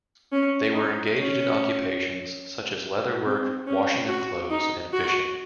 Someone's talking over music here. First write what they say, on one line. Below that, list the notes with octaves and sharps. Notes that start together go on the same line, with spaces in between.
They were engaged in occupations such as leather work, washing of clothes and fishing.
C#4
D#4
C#4
C4
C#4
F#4
D#4
F#4